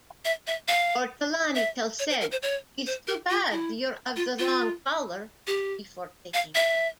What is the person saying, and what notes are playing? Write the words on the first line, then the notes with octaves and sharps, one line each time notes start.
Ortolani tells Said, "It's too bad you're of the wrong color," before taking off.
E5
E5
F5
E5
C#5
C5
A#4
C5
C#5
C5
A#4
F4
E4
F4
F4
G4
F5
E5